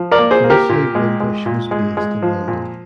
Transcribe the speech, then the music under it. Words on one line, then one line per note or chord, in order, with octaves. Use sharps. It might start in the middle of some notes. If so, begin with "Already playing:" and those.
Initially Wimbush was based in London.
Already playing: F3
A#4 D5
A#3
G#4 C5
A#3
G4 A#4
A#2
G#3
G#3
A#2
G#3
G#3
F3
A#2